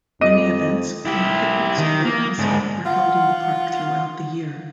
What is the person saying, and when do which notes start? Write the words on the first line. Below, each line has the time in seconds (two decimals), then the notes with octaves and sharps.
Many events, from picnics to weddings, are held in the park throughout the year.
0.21 F2 D#5 D6 D#7
1.05 E4 G4
1.78 D#3
2.05 A#3
2.39 D2 G#2
2.86 F4 F#5